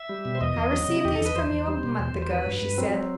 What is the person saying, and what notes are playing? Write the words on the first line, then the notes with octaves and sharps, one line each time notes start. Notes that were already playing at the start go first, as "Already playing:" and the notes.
"I received these from you a month ago," she said.
Already playing: E5
G3
B2
C5
E2 D#5
E2
F#3
C3
E2 G4
E2 A4
B4
E2 C5
E2
G3
B2
E2
E2
C5
F#3 B4
G2
G2
F#3 C4
F#3